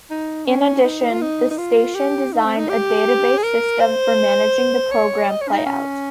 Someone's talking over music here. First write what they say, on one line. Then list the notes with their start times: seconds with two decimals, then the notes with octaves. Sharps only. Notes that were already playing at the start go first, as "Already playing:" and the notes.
In addition, the station designed a database system for managing the program playout.
0.10 D#4
0.46 C#4
0.84 D#4
1.11 F4
1.21 D#4
1.51 D#4
1.58 F4
1.95 G4
2.33 D#4
2.45 C4
2.57 D#4
2.69 G4
3.38 G#4
3.43 A#4
3.80 C5
4.91 C#5
5.29 D#5
5.41 C#5
5.48 C#4
5.53 D#4
5.66 C#4